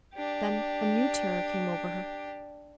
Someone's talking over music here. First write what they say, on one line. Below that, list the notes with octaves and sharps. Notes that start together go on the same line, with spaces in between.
Then a new terror came over her.
D4 G4